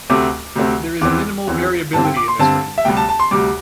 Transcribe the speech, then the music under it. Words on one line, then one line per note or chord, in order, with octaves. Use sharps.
There is minimal variability in this range.
D2 C3 A3 C4 D6
D2 C3 A3 C4
E2 E3 C4 D6
E2 E3 C4
G2 D3 C4 A5
G5
D6
C6
G2 D3 C4 A5
E5
D2 C3 G3 G5
A5
A5
C6
D2 C3 G3 D6